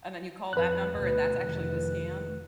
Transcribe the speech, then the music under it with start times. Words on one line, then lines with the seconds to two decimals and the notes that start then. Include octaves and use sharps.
and then you call that number and that's actually the scam?
0.53 F2 B4 F#6
0.94 D2 B2
1.37 F1 D#3 E3